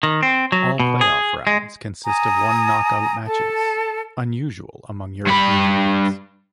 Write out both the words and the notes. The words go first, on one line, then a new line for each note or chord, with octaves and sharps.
All playoff rounds consist of one-off knockout matches, unusual among European leagues.
D#3
C4
F#3
B2
G#4
G#3
G#5 A#5 D#6
A4 A5
G2 B5